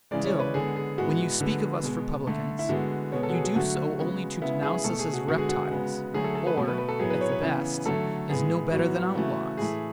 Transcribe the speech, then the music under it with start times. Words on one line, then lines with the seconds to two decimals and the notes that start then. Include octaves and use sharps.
Still, when you speak of us Republicans, you do so only to denounce us as reptiles, or, at the best, as no better than outlaws.
0.11 C#3 E3 G#3 D5
0.26 C#5
0.39 B4
0.54 D3 G#3 B3 G#4
0.76 G#4
0.98 A2 G#3 B3 F#4
1.40 D3 G#3 B3
1.83 B2 G#3 B3
2.27 D3 A3
2.59 E4
2.69 D3 G#3 B3 F#4
3.12 B2 G#3 B3 C#5
3.23 A4
3.30 F#4
3.34 G#4
3.44 F#4
3.55 D3 F#3 A3 F#4
3.99 C#3 G#3 B3 F#4
4.41 C#3 G#3 B3 E4
4.63 G#4
4.84 B2 A3 A4
4.99 G#4
5.13 F#4
5.28 D3 G#3 B3 F#4
5.38 G#4
5.49 F#4
5.71 C#3 G#3 B3
6.14 D3 F#3 A3 G#4
6.24 A4
6.35 A4
6.47 B4
6.57 B2 A3 F#4
6.68 B4
6.78 B4
6.89 A4
7.00 A2 F#3 B3 G#4
7.10 B4
7.21 C#5
7.32 B4
7.42 C#3 E3 B3
7.86 D3 F#3 A3 A4
8.29 A2 G#3 B3 G#4
8.72 A2 F#3 B3 F#4
9.15 C#3 E3 A3 F#4
9.58 A2 E3 A3 G#4